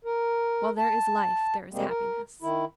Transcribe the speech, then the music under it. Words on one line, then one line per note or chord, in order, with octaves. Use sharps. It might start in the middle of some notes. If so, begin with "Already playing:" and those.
While there is life there is happiness.
A#4
A5
F2 C3 G3 G#3 A#3 C4
A#4
D#3 E4